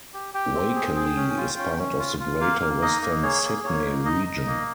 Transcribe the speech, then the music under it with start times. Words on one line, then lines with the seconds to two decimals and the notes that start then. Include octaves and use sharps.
Wakeley is part of the Greater Western Sydney region.
0.14 G4
0.34 G4 G5
0.55 C4
0.76 G#4
0.96 G#4
1.17 C#4
1.37 F4
1.58 C#4
1.78 C#4
1.99 F4
2.20 F4
2.40 A#3 F5
2.61 A#3
2.82 D#4 D#5
3.02 A#3
3.23 G#4 C#5
3.43 A#3
3.64 A#3 C#5
3.85 D#4
4.05 D#4 D#5
4.26 D#4
4.47 A#3